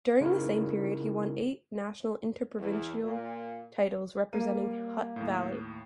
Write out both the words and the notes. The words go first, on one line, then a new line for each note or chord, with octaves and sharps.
During the same period he won eight national interprovincial titles representing Hutt Valley.
C#3 G#3 D#4 E4 F#4 A#4
E2
A#2
G3 A#3 D#7
D#2 A2